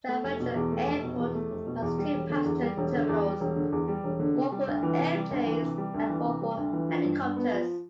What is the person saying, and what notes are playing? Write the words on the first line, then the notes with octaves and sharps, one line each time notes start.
Stavanger Airport has two passenger terminals, one for airplanes and one for helicopters.
A3
F1
B2
E2
A3
F1
B2
E2
A3
F1
B2
E2
G3
E1
D3
E2
G3
E1
D3
E2
G3
E1
D3
E2
G3
E1
D3
C3
G3
D2
E3
C3
G3
D2
E3
C3
G3
D2
E3
C3
G3
D2
E3
F3
G2
G2
B3
F3